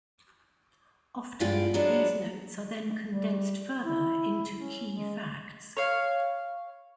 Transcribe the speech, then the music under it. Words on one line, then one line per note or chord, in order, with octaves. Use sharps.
Often, these notes are then condensed further into key facts.
G2 G#3 B3 F4 G5
F#3 G#3 B3 D4
G3
E4
C#4
G#3
C#5 F5